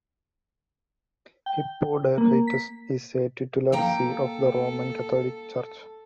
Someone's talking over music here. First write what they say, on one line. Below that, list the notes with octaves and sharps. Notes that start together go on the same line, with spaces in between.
Hippo Diarrhytus is a titular see of the Roman Catholic Church.
G5
A#3
B6
A#3 A4 G5 A#5